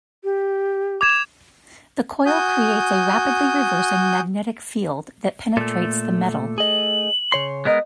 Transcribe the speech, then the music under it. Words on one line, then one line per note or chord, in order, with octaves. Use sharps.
The coil creates a rapidly reversing magnetic field that penetrates the metal.
G4
D6 G#6 E7
F#4 G#5 D#6 G6
A#2 A3 A4
G#4 D#5 F#7
C#3 C#5 C6
G#3 B3 A#4 D#5 D#6